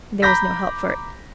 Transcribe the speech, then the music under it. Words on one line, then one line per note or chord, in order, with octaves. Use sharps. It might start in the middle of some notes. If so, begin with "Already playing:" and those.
There was no help for it.
A#5 B5 D6 G6 A#6 B6